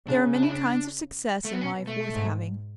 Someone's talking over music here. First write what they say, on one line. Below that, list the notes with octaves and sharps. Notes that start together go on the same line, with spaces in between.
There are many kinds of success in life worth having.
C#3 D4
D4
E4
D4
A3
B3
B2 C#4
A3
G#2